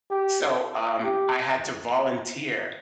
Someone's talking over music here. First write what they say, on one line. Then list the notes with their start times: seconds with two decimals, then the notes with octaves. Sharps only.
so, um, I had to volunteer
0.11 G4
1.04 G4